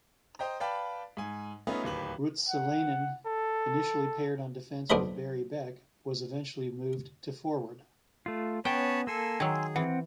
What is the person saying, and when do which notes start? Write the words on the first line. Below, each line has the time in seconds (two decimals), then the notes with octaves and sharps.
Ruotsalainen, initially paired on defense with Barry Beck, was eventually moved to forward.
0.39 C5 D#5 G5 A#5
0.60 B4 D5 F5 G5 A5 B5
1.17 G#2 G#5
1.67 A3 B3 C#4 D#4 F4 B4
1.84 D1 D#2 B4 F#7
2.49 F#5
3.26 A4
4.90 B1 B2 D4 C5 D#5 B5
8.26 A3 F4
8.65 B3 C#4 C#5 G5 A5 B5
9.07 A#3 A4 G#5 C6 E6
9.40 D#3 F#3 G#4 G#5 C6 E6
9.76 E3 C4 F#5